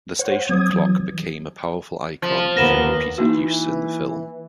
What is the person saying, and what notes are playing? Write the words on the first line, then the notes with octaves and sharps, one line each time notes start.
The station clock became a powerful icon through repeated use in the film.
C5 C#5 F#5
F#3 C4 D#6 G#6
E3 F#3
F3
D#2 A#3 B3 A#6 E7
E3 A#3 D#4 F#4